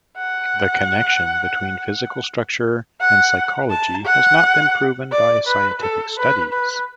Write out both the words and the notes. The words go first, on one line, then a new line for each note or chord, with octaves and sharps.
The connection between physical structure and psychology has not been proven by scientific studies.
F#5
F#5
A5
F#5
D5
B4
A4
B4
B4